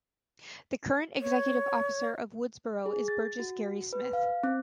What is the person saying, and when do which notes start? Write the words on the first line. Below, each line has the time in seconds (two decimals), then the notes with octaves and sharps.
The current executive officer of Woodsboro is Burgess Gary Smith.
1.21 C#5
2.86 G#4
3.08 A6
3.39 F#4
3.93 B4
4.13 F5
4.43 C4